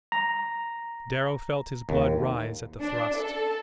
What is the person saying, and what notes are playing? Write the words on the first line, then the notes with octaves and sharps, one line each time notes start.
Darrow felt his blood rise at the thrust.
A#5
D#2
D4
A4